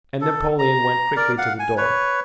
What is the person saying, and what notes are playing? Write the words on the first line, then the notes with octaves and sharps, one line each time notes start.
And Napoleon went quickly to the door.
A4
A#5
A#4 D5
F5 F#5
G#5
B4 C#5